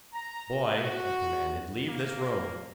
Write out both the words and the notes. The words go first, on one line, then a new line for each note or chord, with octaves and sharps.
"Boy," he commanded, "leave this room!"
A#5
F#4
A#3